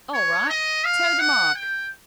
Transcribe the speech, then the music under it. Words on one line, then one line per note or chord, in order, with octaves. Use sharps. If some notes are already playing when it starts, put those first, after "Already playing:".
"All right, toe the mark!"
C#5
D#5
F5
F#5
G5